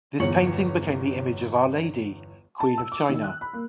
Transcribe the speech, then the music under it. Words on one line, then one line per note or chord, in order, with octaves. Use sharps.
This painting became the image of Our Lady, Queen of China.
G1 E2 C#5 C#7 F#7
A5
E6
D6
D#3
F#6
B5
A#3